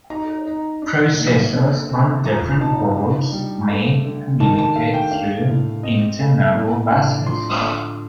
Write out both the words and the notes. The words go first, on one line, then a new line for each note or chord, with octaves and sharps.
Processors on different boards may communicate through inter-nodal buses.
D#4 A#5
D#4
D4
A#2
D3
C4
F3 A#5
D#4 A5
D4
G3
A3
D3
D#3 A5
A5
A3 F5
G5
D4 F5
A2
C4 D#5
A3
A2
D4
F3 C6
D3